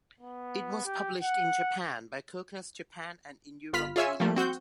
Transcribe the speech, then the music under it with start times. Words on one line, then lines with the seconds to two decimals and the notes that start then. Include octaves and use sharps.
It was published in Japan by Coconuts Japan and in Europe by Elite.
0.21 B3
0.85 G4
1.22 F#5
3.73 G1 F4 B5 F6 B6
3.96 F4 G#4 C#5 E5 G#5 E6
4.20 F3 G3 A3 A#3
4.36 C4 F#4 G6